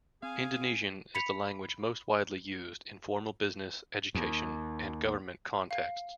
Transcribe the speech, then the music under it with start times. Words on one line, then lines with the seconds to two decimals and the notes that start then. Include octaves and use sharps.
Indonesian is the language most widely used in formal business, education and government contexts.
0.23 C4 G#4 F5 G#5
1.15 B5 B6 C#7 F7
4.15 D#2
5.71 F5